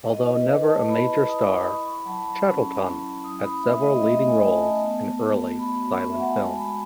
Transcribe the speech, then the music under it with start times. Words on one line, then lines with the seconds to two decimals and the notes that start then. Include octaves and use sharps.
Although never a major star, Chatterton had several leading roles in early silent films.
0.10 E4 D#5
0.37 B4
0.50 E4
0.62 A5
0.89 E4 B5
1.28 E4 D#6
1.48 D#6
1.62 B5
1.67 E4 C#6
1.87 C#6
2.06 F#3 A5
2.26 B5
2.45 C#4 C#6
2.84 E4
3.24 E4 D#6
3.43 B5
3.62 A3 E5
3.82 D#5
4.01 A3 D#5
4.27 G#5
4.42 A3
4.55 A5
4.80 B3
5.19 B3
5.59 F#4 B5
5.97 F#4 C#6
6.10 E5
6.18 F#5
6.28 G#5
6.37 G#3 A5
6.56 B5